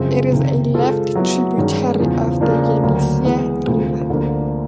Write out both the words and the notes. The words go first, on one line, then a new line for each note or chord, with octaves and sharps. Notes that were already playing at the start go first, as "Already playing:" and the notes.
It is a left tributary of the Yenisei River.
Already playing: F#2 C#3 F3 G#3 C4
C#2 C3 D#3
G#3 C4 F4 A4
F#3 B3 E4
G2 D#3 G#3 C#4
E2 C#3 F3
C#3 F3 A#3 D4
D2 D3 F#3 A#3
E3 G#3 B3
D2 C3 F3 A#3
D2 D3 F3 A#3 D4